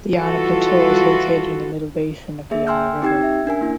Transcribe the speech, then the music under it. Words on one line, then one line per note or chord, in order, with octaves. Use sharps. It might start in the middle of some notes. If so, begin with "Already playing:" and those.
The Yana Plateau is located in the middle basin of the Yana River.
E3 G3 F4 F#4 A4
A#3 G#4 E5
G5 G#5 C6 E6 F6 G6
C4 D#4 G4 G5 E6 G#6
E5
C#4 D4 A#4 G#5
A#3 E4